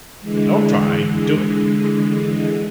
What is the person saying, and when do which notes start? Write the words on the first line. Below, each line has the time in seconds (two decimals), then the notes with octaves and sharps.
"Don't try--do it."
0.20 D3 E3 G#3